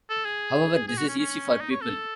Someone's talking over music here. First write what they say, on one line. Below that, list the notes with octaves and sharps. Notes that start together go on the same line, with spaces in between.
However, this is easy for people.
A4
G#4
G#4
F#4
C#4
C#4
C#4
D#4
C#5
A4